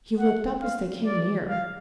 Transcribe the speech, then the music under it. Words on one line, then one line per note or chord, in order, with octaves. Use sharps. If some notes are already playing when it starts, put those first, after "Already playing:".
He looked up as they came near.
F#5
F5
D5
F5